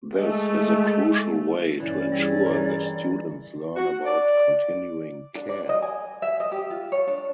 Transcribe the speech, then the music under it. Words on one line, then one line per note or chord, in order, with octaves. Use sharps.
This is a crucial way to ensure the students learn about continuing care.
G#3 A3
G2 E3 C#4 D5
G3 E4 G#4
E3 A#4
F#4
D5
D4
D5
D#5
G#5
E5
D#5
G4
F4
C#5
D4